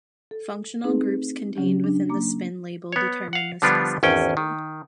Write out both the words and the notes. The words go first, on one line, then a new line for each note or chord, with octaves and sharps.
Functional groups contained within the spin label determine their specificity.
A4
A3 C4 D#4 G#4 B4
C#3 F#3 C#4 G4
D4
A#3 A#5 D6
B3 C#5
F5 F#5
D3 F3 G3 B3 D4 F4
G#1 E2 C#4 G5
D#3